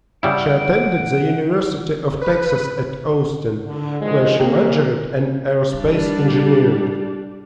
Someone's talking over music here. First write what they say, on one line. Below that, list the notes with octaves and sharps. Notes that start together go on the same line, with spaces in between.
She attended the University of Texas at Austin, where she majored in Aerospace Engineering.
C#3 G3 E4 F#5 D7
B4
D3
D#3 F3 G#3
A#2 A#3 G4
G3 D4